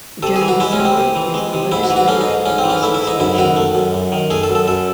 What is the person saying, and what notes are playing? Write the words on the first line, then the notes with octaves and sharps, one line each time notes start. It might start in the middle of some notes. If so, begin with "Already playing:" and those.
The General Assembly is the legislative of the association.
C3 A4
G#4
E3
F#4
G#3 E4
C#4
C3
C4
C3
E3
G#3
C3
G#2 E4
F#4
E3
F#4
A3 C#4
D#4
G#2
G#2 C#4
C4
E3
C#4
A3 E4
E4
G#2
D#4
F#2 E4
D#3 F#4
A3
F#2
F#2
D#3
A3 G#4
A4
F#2
A4
F#2 A4